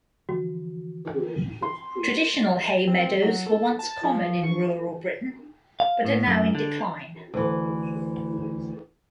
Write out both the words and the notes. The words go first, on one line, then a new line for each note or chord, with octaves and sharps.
Traditional hay meadows were once common in rural Britain, but are now in decline.
D3 E3 F3 F#4
C6
C4
F#3
A4
A5
F3
C#6
F5
A2
F#2
D3
D2 E3